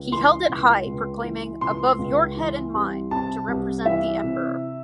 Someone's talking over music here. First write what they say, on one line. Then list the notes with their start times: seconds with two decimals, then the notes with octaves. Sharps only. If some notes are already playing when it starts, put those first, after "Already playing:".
He held it high proclaiming "above your head and mine" to represent the emperor.
Already playing: C#2
0.12 E3 C6
0.49 C#2
0.86 C#2
1.24 E3
1.61 C#2 C6
1.99 C#2
2.36 E3
2.74 C2
3.11 C3 A5
3.48 C2
3.86 E3 E5
4.23 C3